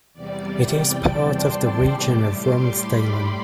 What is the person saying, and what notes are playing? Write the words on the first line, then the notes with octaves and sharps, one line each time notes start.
It is part of the region of Romsdalen.
E2 C3 G3 D5
G5
A5
C6
D6
A2 G3 D6
C6
B5